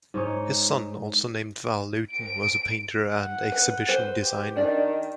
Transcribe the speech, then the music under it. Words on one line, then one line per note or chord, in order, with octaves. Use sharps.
His son, also named Val Lewton, was a painter and exhibition designer.
G#2 D#4 C#5
D7
F#5
B4
B4 C5
G4
D#3 D4 D5